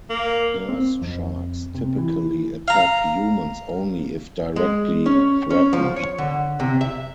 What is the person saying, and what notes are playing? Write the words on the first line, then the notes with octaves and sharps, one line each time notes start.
Nurse sharks typically attack humans only if directly threatened.
A#3
C4
F2
C3
E3
F5 A#5
G#3
C#4
C#4
F3
C#5
D3
C3
E5